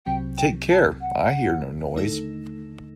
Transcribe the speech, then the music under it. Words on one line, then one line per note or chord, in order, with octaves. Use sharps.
Take care I hear no noise.
C2 C3 F#3 C4 G5
G5
A5
F#5
D#2 D3 A3 D#4 A4